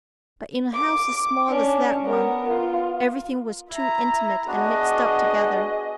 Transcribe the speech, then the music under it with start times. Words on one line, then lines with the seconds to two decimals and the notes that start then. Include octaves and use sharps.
But in a house as small as that one, everything was too intimate and mixed up together.
0.74 D6
1.49 C#4 D4
2.05 B3 A#4
2.49 F4
3.69 E4 E5 A#5
4.47 B3 D4 F#4 G#4 D#5